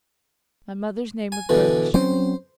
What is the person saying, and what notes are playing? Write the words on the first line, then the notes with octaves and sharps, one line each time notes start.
My mother's name was Bertha Shirley.
G#5
B2 D3 E3
F#3 C4 C#4 C5